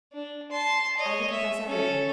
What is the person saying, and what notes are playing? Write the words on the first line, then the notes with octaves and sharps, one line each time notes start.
I will confess everything.
D4
A5 C6
C#5 D#5
E5
C#4 A4